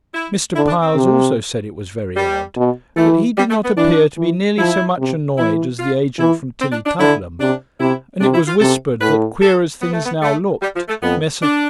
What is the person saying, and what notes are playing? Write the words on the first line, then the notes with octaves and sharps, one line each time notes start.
Mr. Piles also said it was very odd; but he did not appear to be nearly so much annoyed as the agent from Tillietudlem; and it was whispered that, queer as things now looked, Messrs.
E4
D3 E4
D4
C4
C3
G3
B2
E3 A3
G3
A3
B3
E3 D4
E3
F3 E4
C3
E3 E4
F4
E3 E4
C4
D4
D4
D3 E4
C3 D4
C3 E4
C3 D4
E4
F4
C3 A4
A2 B4
A4
B3
A3
B3
A3
G3
F3
A3
F2 B3
D4